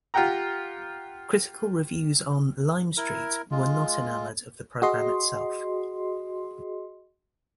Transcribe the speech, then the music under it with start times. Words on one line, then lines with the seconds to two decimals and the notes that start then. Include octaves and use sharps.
Critical reviews on "Lime Street" were not enamored of the program itself.
0.14 F4 G4 F#5 G5 A#5
2.97 E4 A#4
3.51 G#3 F4
4.82 F#4 G#4 D#5 C6